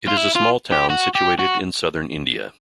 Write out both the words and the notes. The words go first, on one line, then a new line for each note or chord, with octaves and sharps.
It is a small town situated in southern India.
F4
E4
F4
G4
F#4
G4
F#4